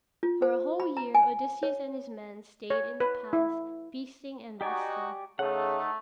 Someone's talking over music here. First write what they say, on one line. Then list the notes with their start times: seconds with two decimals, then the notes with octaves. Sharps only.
For a whole year Odysseus and his men stayed in the palace, feasting and resting.
0.23 F4
0.42 C5
0.80 B5
0.97 A#5
1.15 G#5
1.63 C#5
2.70 C#5
3.00 B4
3.33 E4
4.61 D#4 F#4 G4 D5 G#5
5.39 C#3 A3 D#4 F#5